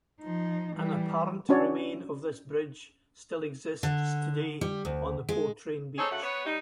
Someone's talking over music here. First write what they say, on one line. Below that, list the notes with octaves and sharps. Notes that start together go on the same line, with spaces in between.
An apparent remain of this bridge still exists today, on the Portrane beach.
F3 D#4
E3 G3
C#4 D4 F#4 C#5 D5
D3
G3
D2
G#3
D#4 G#4 A4 C5 C#5
D2 C#3 A3 F#4 F#5
B3 C#5
G3 D#4